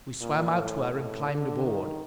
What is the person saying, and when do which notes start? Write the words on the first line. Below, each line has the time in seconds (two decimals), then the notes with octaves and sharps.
We swam out to her and climbed aboard.
0.21 A#2
0.56 A2
0.93 A2
1.28 D3
1.65 D#3